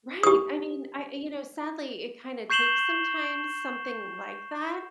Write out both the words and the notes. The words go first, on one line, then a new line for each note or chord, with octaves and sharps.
Right! I mean, I you know, sadly it kinda takes, sometimes, something like that,
G4 D#6
C#6 G6 C7 E7 F#7 G7